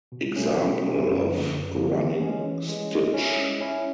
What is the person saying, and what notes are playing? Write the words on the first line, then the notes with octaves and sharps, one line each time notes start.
Example of running stitch.
B2
F#3 A3 C#4 E4
B2
F#3 A3 C#4 E4
F#2
D3 F3 A#3
F#2
D3 F3 A#3
E3
G#3 C#4
E3
G#3 C#4
G#3
C#4 E4
G#3
C#4 E4